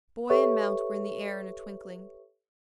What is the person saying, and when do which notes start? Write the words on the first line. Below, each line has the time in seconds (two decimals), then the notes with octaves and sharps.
Boy and mount were in the air in a twinkling.
0.30 G4 A4 B4 C#5 E5 C#6